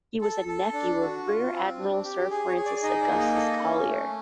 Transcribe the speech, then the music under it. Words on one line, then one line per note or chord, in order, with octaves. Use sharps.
He was a nephew of Rear-Admiral Sir Francis Augustus Collier.
A4
A4
D4
F#4
F4
C4
D4
G4
G#4
C#5
G#4
D5
D#4 D#5
D5
A#3
D#5
A4
C#4
A3